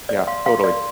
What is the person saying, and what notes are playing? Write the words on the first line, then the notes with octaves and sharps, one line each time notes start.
Yeah, totally.
D5
F5 C6
F5 C6
D5 C6